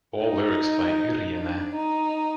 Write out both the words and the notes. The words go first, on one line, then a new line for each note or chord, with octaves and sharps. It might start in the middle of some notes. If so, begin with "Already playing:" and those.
All lyrics by Yrjänä.
D#4
D4
D#4